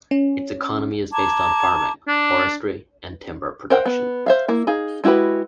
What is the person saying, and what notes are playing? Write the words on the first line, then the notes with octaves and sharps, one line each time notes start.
Its economy is based on farming, forestry and timber production.
C#4
A5 A#5 D6 G#6
D4
A#4 C5 F#5 G5
B3
C5 E5 F5
A#3 E4
D#4 G#4 F5
G#3 E4 F#4 G4 B4